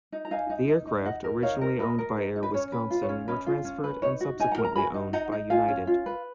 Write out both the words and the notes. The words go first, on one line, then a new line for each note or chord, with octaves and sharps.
The aircraft, originally owned by Air Wisconsin, were transferred and subsequently owned by United.
D#4
A#5
D#4 F5 G#5
D#4
D#4
D#4
D#4 D#5 F#5
A#4
D#4 C#5 F5
A#4
A#4 B4 D#5
A#4
D#4
D#4
B4
C#4 C#5
B4
F4
C#5
C#4
C#4 B4 D#5
F4
C#4
B4
D#4 C#5
F#4
D#4 G#5
F#5 A#5
A#4
A#5
F#4 G#5 B5
D#4
D#4 F#5 A#5
D#4
F4 F5 G#5
C#4
F4
B4